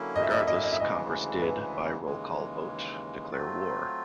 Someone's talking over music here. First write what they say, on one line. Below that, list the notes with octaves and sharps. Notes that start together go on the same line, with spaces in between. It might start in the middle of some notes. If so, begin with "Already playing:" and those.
Regardless, Congress did, by roll-call vote, declare war.
Already playing: D3 F#3 A#3 C#4 E4
D#5
E5
D#5
E5
D#5
E5
D#5
E5
D2 C#3 E3 G#3 D#5
B4
D#2 C#3 E3 G#3
F#3 A3 C4 F4